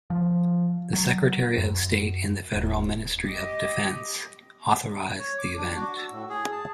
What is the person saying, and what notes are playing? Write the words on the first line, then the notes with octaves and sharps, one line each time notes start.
The Secretary of State in the Federal Ministry of Defence, authorized the event.
F3
F#3
F#2
D#1
G4 D#5
C#5
D6
D4
F#4
E6
A2
G#4
A5